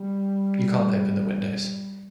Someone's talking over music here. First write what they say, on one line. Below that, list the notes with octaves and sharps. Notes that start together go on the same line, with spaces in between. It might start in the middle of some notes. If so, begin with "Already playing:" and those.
You can't open the windows.
Already playing: G3